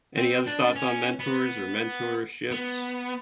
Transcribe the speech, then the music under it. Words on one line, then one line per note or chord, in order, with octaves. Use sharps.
Any other thoughts on mentors or mentorships?
C4
D4
C#4
B3
B3